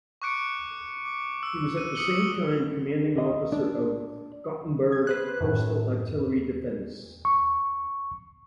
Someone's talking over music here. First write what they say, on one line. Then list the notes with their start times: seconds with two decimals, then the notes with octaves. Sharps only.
He was at the same time commanding officer of Gothenburg Coastal Artillery Defence.
0.22 C#6 D6 F#6 C#7 D7
1.05 D6
1.43 E6
1.77 D#7
1.95 D#6 C#7 F#7 G7
3.18 D#5
3.52 D4
4.92 G#6
5.07 B4 C5 F#6
5.41 F#2 A2
7.25 C#6